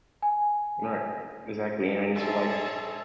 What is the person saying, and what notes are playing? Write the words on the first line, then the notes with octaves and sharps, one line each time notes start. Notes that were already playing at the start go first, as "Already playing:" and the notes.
Right, e exactly, and I just feel, like
G#5
A#1 G#4 A4 C#5 A5